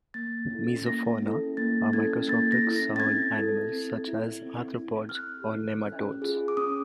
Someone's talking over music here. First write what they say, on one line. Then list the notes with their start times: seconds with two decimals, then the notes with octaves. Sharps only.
"Mesofauna" are macroscopic soil animals such as arthropods or nematodes.
0.14 A#3 A6
0.50 C#4 E4 A4
0.86 A#3 A#6
1.22 C#4 E4 A4
1.57 A#3 A6
1.93 C#4 E4 A4 G#6
2.28 A#3 A6
2.52 A#6
2.64 C#4 E4 A4
2.76 A#6
2.96 A6
3.00 C4 G#6
3.37 E4 A4
3.72 C4
4.08 E4 A4
4.43 C4
4.78 E4 A4
5.09 F6
5.15 C4 F#6
5.50 E4 A4
5.86 C#4
6.22 F4 G#4
6.48 D6
6.57 C#4 D#6